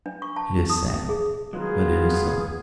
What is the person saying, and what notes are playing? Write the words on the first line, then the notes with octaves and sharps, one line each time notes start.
It is sad, but it is so.
D4
C#6
A5
D#6
G#4
D#3 F#3 G#3 B3 F4 G#4